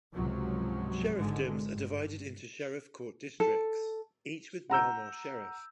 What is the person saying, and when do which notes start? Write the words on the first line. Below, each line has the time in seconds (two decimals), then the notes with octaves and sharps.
Sheriffdoms are divided into Sheriff Court Districts, each with one or more sheriff.
0.13 C#2 G#2 C3 F3 F#3
1.16 G#1 G#2 D3 G#3
1.69 G2
3.40 A4
4.70 F#5 A#5 E6 G6